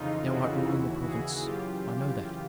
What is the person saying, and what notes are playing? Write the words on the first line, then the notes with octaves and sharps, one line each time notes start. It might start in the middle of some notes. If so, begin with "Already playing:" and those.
Thou art ruling the province--I know that.
Already playing: F2 C#3 E3 D#4 F4
E4 F#4
D#2 C#3 E3
F#4 G#4
F#2 C#3 E3 F4 G4